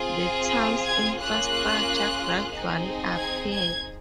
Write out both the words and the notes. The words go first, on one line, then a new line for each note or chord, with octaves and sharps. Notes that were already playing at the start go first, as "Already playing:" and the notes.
The town's infrastructure gradually appeared.
Already playing: C4 F4 G#4
G#6
A#3 C#4 F4 G#4 F#6
C4 D#4 G#4
G#6
G#6